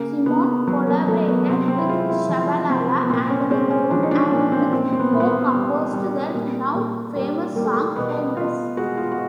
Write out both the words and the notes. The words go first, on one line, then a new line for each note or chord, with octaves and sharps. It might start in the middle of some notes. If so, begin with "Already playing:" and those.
Simon collaborated with Shabalala and the group, and co-composed the now-famous song, "Homeless".
Already playing: C#3 A#3
C#3 B3
F#3 B3
A#3
F#3 A3
B3
C3 C4
C4
E4
G#3 F4
E4
F3
C3 C4
B3
A#2 C4
C#4
G#3 C4
C#4
F3 D4
D#4
D4
A#2 C#4
C4
A#2 C4
C4
B3
A#2
B3
A#3
G3
G3
A#2
A#2
G3 A#3
G3 A#3
A3
A#3
B2 B3
B2 F4
G#3 F#4
F4
F#4